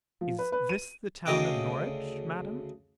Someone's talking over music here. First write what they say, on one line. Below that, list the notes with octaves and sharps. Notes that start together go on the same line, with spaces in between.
"Is this the town of Norwich, madam?"
F3
B4
B4
D#7
D2 C#3 D#5 G5 D6